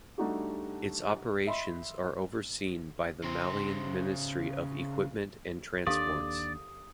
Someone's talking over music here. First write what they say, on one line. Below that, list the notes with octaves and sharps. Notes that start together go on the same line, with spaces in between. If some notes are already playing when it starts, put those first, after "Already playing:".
Its operations are overseen by the Malian Ministry of Equipment and Transports.
G3 A3 D4 D#4 F#4 G4
D#5 E5 B5 C6
C#3 C5
D#2 D4 G4 A4 D5 F5 D#6